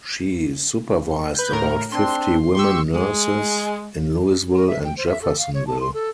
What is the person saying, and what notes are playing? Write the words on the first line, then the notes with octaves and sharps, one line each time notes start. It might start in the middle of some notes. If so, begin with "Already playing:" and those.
She supervised about fifty women nurses in Louisville and Jeffersonville.
B4 G6
A2 A#4
C4 D4 C6
G4 C6 C#6 E6
G#3
A#4
E5
G5
C5
E5
A4
F5
C#5
A5
C6
A4